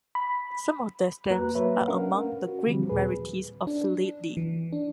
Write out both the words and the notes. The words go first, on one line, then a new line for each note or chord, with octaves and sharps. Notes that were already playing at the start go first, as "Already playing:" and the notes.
Some of their stamps are among the great rarities of philately.
B5
F2 A#3 F#4 B4 A#5 F#6
F#3 A#3 B4 C#5 E5
C#4 D4 A#4 F5 F#5
F#4
D3 E3 F3 G3 C4
D#2 A#2 G#4 B4
D4
E3
D4